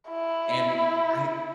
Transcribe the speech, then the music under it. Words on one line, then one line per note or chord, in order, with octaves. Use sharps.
And I
E4